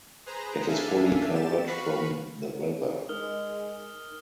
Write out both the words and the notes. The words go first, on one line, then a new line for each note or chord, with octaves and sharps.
It is fully covered from the weather.
G#4 B4 C5 A#5
D4 A4 E5 F5 G#5
G4 A6 E7
F#4 B4 F5 B5 C#6
G#3 D#4 A#4 D#6 F6 G7